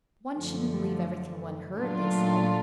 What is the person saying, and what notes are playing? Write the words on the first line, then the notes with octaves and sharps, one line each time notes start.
One shouldn't believe everything one heard, they said.
F#2 D3 F3 A3
A#2 F#3 A3 D4 F4